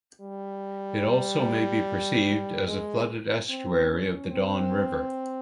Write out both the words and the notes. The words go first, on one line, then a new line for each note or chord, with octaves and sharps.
It also may be perceived as a flooded estuary of the Don River.
G3
G#3
C4
C#4
C4